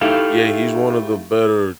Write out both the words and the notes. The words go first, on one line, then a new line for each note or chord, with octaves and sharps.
Y Yeah, he's one of the better
A3 D#4 E4 G4 A4 F5